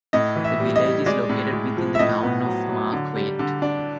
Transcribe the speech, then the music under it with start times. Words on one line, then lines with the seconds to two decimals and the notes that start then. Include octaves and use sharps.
The village is located within the Town of Marquette.
0.13 A2 D#5
0.36 E3
0.44 E5
0.60 G3
0.76 D#5
0.83 G3
1.06 G#3 D5
1.29 A2
1.53 G#3
1.77 F3
1.95 E5
1.99 A2 D#5
2.23 B3
2.46 F#3
2.69 F#3
2.92 D3
3.15 G3
3.39 D3
3.62 D4